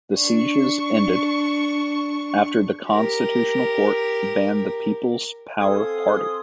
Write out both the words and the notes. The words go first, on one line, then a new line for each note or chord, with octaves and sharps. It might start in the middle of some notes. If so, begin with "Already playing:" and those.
The sieges ended after the Constitutional Court banned the People's Power Party.
D4 C#6
G4 A#4
C4 A4 F5 G#5 C6 D#6